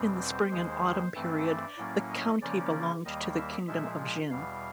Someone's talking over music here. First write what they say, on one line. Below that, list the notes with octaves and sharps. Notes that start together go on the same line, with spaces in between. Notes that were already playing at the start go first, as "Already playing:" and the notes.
In the Spring and Autumn period, the county belonged to the kingdom of Jin.
Already playing: E2 B2 G3 C4
C5
D#2 D#3 G#3
G2 E3 A3 C4
D5
A2 F#3 A#3 C#4
D#5
C#3 F3 A#3 C#4 D5
D#2 D#3 G3 A#3 D#5
E5
A#2 F3 G#3 E5
E2 B2 G3 F5